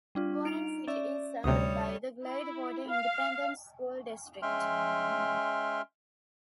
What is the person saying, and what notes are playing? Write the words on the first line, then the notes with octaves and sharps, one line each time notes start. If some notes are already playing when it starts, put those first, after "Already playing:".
Warren City is served by the Gladewater Independent School District.
G3 D4 F4
D#4 D7 F7
C#4 D5 E5
D2 C3 G3 C#5 D#6
E4
F5
G#3 C#4 E5 G5 C6 F6